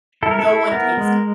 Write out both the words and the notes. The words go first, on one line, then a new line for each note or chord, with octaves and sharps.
no one takes
E4 A4
A#4
A4
E4
B3 A#4
G#3